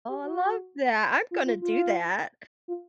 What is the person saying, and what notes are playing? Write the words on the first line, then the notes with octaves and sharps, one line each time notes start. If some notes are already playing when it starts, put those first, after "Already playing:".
I love that. I'm gonna do that.
G4
F#4
F4
F4
F4
F4